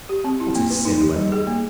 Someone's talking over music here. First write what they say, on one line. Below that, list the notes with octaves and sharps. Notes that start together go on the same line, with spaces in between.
What is Cinnamon?
G4
C4
E4
A#3
B4
D#4
G4
G3
G#4
A#3